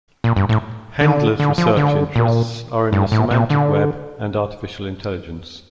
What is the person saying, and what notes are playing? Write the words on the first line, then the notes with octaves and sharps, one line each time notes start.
Hendler's research interests are in the semantic web and artificial intelligence.
A#2
G2
A2
D3
D3
F3
D3
A#2
G2
A2
A#2
D3